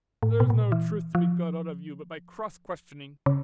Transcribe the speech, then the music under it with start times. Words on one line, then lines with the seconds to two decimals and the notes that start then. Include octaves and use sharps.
There's no truth to be got out of you but by cross-questioning.
0.23 A2
0.40 B2
0.50 A#2
0.72 E3
1.15 F3
3.26 C#3